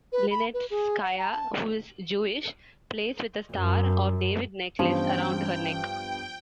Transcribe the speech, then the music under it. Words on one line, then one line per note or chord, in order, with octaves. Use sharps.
Linetskaya, who is Jewish, plays with a Star of David necklace around her neck.
B4
B5
B4
G#4
F#5
A#5
A5
F#2
G2 E3 F3 B3 C#4 F4 G5